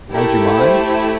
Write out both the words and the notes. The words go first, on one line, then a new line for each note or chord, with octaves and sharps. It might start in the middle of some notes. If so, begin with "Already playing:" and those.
"Don't you mind?"
A3 E4 G4 A#4
C5